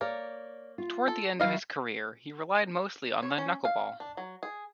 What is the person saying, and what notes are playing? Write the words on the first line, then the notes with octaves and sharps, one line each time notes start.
Toward the end of his career, he relied mostly on the knuckleball.
A#3 C#5 D5
F4
A4
F#3 E4 D#5 F5
C#5
C#4
F5
D4
F#3
G#4